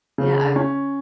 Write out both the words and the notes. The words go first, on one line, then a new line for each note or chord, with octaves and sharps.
yeah, I've
C#3
C#4